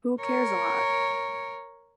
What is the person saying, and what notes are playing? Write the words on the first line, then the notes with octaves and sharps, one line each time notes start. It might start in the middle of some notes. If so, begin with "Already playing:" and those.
Who Cares a Lot?
A#4 C#5